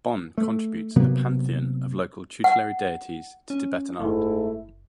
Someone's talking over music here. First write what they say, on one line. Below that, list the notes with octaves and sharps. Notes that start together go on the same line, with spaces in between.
Bon contributes a pantheon of local tutelary deities to Tibetan art.
A3
C3 F#3 A#3 B3
F#5
C#4
F#1 G#2 A3 E4